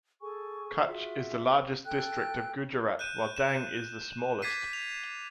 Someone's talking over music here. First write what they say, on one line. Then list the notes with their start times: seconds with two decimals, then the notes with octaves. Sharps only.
Kutch is the largest district of Gujarat while Dang is the smallest.
0.22 G#4 A4 G#5 C#6
0.86 F4 F#4 G#4 E5
1.85 A4 G5 F#6
2.99 F#6 G6 D#7 E7
3.36 E7
4.42 D6 G#6 A6 B6 C7 D#7
4.73 F7